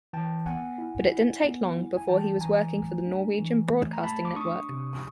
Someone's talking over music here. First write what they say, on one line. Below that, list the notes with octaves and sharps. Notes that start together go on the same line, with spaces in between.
But it didn't take long before he was working for the Norwegian broadcasting network.
E3 G5 A5
B3 F#5 G#5
E4
E4
B3
E4
G#5
E3 G5 A5
E3 G#5 A#5
A3
D4
E3
A3
A#5
A3 A5 B5
D6
D4 C#6 D#6
C3